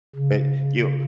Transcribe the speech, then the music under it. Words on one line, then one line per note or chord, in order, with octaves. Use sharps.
eh you
C#3